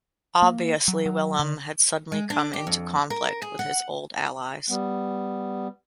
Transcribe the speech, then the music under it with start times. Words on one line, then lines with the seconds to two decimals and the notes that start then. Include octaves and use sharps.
Obviously Willem had suddenly come into conflict with his old allies.
0.42 A#3
0.88 F#3
1.06 F#3
1.39 D3
2.12 G#3
2.30 D4
2.54 G4
2.67 F2
3.10 A#4
3.42 G#4
3.59 F#5
4.70 G3 B3